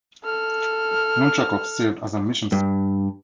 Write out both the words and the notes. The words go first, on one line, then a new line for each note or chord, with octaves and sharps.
Lonchakov served as a mission specialist.
A4 F6
G2